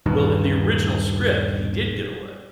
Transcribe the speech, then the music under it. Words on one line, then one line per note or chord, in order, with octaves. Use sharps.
Well, in the original script, he did get away,
D#1 G2 D#3